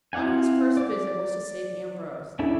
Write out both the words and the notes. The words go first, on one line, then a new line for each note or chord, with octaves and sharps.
Monica's first visit was to St. Ambrose.
C4 E4 F5 F#5 G#5
D5 D6
C#4 D4 E4 G#4 A4